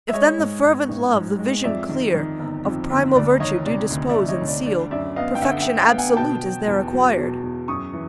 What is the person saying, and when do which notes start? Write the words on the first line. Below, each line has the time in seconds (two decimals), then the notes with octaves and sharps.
If then the fervent Love, the Vision clear, Of primal Virtue do dispose and seal, Perfection absolute is there acquired.
0.08 E5
0.13 G#3 C#5 D#5
0.38 G#2
0.63 G#2
0.89 A1
1.14 G#2
1.39 G#3
1.64 F2 D5 E5
1.89 D#3
2.15 D#3
2.40 G1
2.65 F2
2.90 G1
3.15 D2 D5
3.40 D#3 C#5 D#5
3.65 C3 D5
3.90 D2
4.09 D5 E5
4.16 D2
4.28 C#5 D#5
4.41 D2
4.47 D5
4.66 D3 D5
4.91 F#2 D5 E5
5.16 B3 D#5 F5
5.35 G5
5.41 D3 E5 F#5
5.60 E5 F#5
5.66 D3
5.79 F5 G5
5.91 B3
5.98 F#5 G#5
6.17 B2 G5 A5
6.42 F#3
6.67 E2
6.92 F#3
7.17 B2
7.43 E2
7.68 F#2 C#6 D#6
7.93 E3